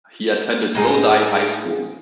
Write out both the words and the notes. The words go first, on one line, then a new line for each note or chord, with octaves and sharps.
He attended Lodi High School.
A2 D#4 G#4